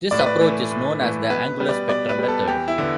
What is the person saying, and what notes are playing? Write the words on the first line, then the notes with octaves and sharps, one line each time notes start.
This approach is known as the Angular spectrum method.
A2 D5
B4
D5
E3 A3
A2
E3 A3
B2 B4
G3 B3
D5
B2 D5
B4
G3 B3
A4
E2 G4
E4
D3 B3